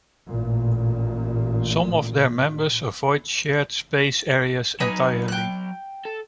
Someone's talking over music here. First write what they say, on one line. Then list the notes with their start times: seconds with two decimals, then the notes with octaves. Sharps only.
Some of their members avoid shared space areas entirely.
0.27 A1 A#2
4.80 F#3 D#4 B4 D#5 G#5
5.28 G5 F#6
6.05 A4